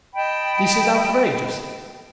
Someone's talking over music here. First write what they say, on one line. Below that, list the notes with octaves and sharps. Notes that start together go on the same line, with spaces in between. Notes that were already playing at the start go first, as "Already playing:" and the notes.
This is outrageous!
D#5 G5 A5 B5